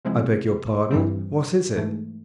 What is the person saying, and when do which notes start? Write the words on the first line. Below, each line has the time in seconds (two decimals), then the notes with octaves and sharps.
"I beg your pardon; what is it?"
0.05 C3 F3 G#3 C4 E4
0.91 G2 E3 G3 C4
1.76 G#2 E3 A3